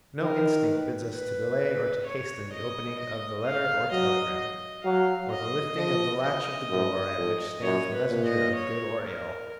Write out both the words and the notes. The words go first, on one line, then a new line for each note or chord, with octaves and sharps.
No instinct bids us to delay or to hasten the opening of the letter or telegram, or the lifting of the latch of the door at which stands the messenger of good or ill.
D#3 A#4
B4
B4
C#5
D#5
D#5
F5
F#3 D#5
D#5
F#3 F5
D#5
F3 D#5
D#5
F#2
F2
F#2 C#5
B4
A#2
D#5
C#5
A#4